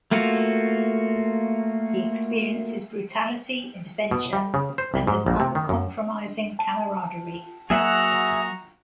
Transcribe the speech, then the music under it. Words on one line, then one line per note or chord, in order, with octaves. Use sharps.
He experiences brutality, adventure, and an uncompromising camaraderie.
A3 A#3 F4 F#4
B2
G3
C#3
C5
C2
G#2
A#1
C3
D#3
F#2
A5
F#3 A#3 F#4 G#4 E5 F#5 A#5